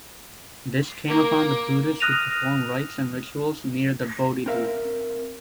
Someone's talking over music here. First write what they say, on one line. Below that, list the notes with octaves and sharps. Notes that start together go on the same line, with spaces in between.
This came upon the Buddhists who performed rites and rituals near the Bodhi tree.
A#3
D#6 F6 F#6 A#6 D#7 F7
C4 D#4 A#4 E5 F5